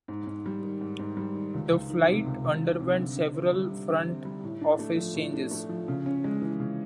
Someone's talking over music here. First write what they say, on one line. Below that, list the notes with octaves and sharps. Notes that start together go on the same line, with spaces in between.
The Flight underwent several front office changes.
G#2
G#2
G3
D#3
G#2
G#2
G3
D#3
C#2
C#2
D#3
C3
C#2
C#2
D#3
C3
D3
D3
C4
G3
D3
D3
C4
G3
A2
D4
A3
F3
A2
D4
A3
F3
C#3
C#4
G#3
E3
C#3